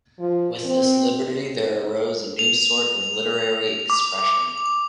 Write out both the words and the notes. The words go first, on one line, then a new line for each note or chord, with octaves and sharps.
With this liberty there arose a new sort of literary expression.
F3
C4
F7
D6